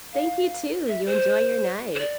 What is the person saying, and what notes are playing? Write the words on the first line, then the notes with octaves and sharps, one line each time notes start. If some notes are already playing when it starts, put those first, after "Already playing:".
Thank you, too, you enjoy your night.
F5
E5
C5
C5
D5